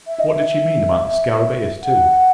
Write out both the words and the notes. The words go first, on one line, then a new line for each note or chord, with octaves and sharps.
What did she mean about the scarabaeus too?
E5
D#5
E5
F#5